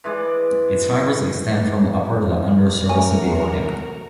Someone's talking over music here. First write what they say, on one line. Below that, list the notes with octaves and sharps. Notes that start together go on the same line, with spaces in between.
Its fibers extend from the upper to the under surface of the organ.
E3 G#3 D5
A3 C#4 F#4 A#4